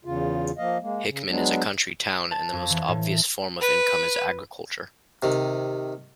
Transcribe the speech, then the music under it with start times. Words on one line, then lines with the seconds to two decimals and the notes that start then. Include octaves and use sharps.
Hickman is a country town, and the most obvious form of income is agriculture.
0.05 E2 C#3 F4
0.58 F3 A#3 D#5 F5
0.81 G#3 A#3
1.07 C#3
1.29 F#3 G#3 B3 D4
2.31 A5
2.52 F2
2.70 E3
2.88 A2
3.61 B4
5.23 C3 D#3